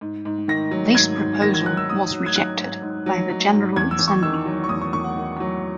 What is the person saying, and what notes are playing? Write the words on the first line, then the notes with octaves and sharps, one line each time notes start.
This proposal was rejected by the General Assembly.
G#2
G#2
D#3 A#6
F#3
G#2 G#6
G#2
D#3 A#6
G#6
F#3 F#6
E6
G#2 D#6
F#3
G#6
F#3 F#6
G#2
G#2
F#3
F#3
G#2
E2 G#6
E6
E2
C#6
D#3 E6
F#3
C#6
E2 D#6
C#6
E2 C#6
F#5
D#3
F#3